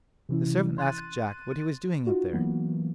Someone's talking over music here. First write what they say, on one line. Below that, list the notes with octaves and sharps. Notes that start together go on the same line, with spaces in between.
The servant asked Jack what he was doing up there.
C3 E3 C#4 E4
C6 F#6 A6 D#7
D#4 F4 F#4
E3 F#3 A#3 B3